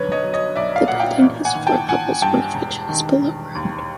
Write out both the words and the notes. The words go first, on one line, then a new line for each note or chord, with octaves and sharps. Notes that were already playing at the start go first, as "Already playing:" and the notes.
The building has four levels, one of which is below ground.
Already playing: B1 D3 B4 C#5
C#5 D#5
F#3
C#5 D#5
B1 D5 E5
F5
A#2 F#5
F5 G5
A1
F#5 G#5
D#3
G5 A5
A1 F#5 G#5
G2 G5 A5
E1
D#3
E1
D#2